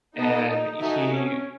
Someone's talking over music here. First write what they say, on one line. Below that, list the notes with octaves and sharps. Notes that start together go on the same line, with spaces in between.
And he
B3 D#4 A4 D#5
D#4
D#4 F#4 A4 E5 G#5
C#4